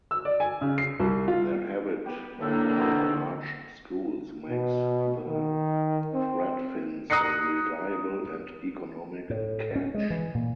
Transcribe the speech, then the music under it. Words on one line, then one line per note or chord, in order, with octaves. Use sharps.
Their habit of forming large schools makes the threadfins a reliable and economic catch.
E6
D5
G#5
C#3
C7
C2
F4
B3 G4
A2 D3 A#3 E4 A4 E5
B2 B3 C4
B2
D#3
C4
A#5 D#6 F#6 A#6 C7 C#7
A2
C#4
G#3
E3
A#2